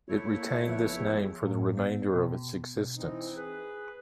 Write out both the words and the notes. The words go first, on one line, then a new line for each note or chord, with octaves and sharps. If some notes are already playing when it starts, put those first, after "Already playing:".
It retained this name for the remainder of its existence.
A3 E4 C#5
A#3
E5
F#1 F3 B3 B4
G#4
A2
B3
B2
E3 C4 D#4
G#4 B4